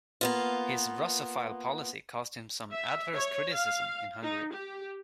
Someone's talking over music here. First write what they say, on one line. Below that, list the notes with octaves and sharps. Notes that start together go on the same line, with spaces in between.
His Russophile policy caused some adverse criticism in Hungary.
A#3 B3 F4
E5
C#5
F5
D#4
G4